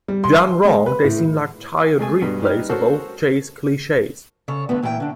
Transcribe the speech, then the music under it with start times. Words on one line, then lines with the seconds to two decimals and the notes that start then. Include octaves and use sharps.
Done wrong, they seem like tired replays of old chase cliches.
0.08 G3
0.24 C6
0.65 G#3
0.86 B4
1.04 A2
1.99 G#3 A3 G#5
2.22 G2 B2 G3
2.42 G3 D#4 B4 F6
2.69 F#4 A4 A#4 C5 C#5
4.48 C#3 A4 C#5
4.69 G2 D3 A3 B3
4.82 A#2 E3 E4 A#4 G5
5.00 D3 D4